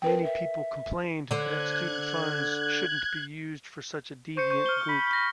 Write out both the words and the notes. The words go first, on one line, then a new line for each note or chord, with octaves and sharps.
Many people complained that student funds shouldn't be used for such a "deviant" group.
C4 A#4 B4 G5
E5
D3 C5 F#6 G#6
C5 C#6 G6 C#7
C#6 G6
F6 G7
B5
A#6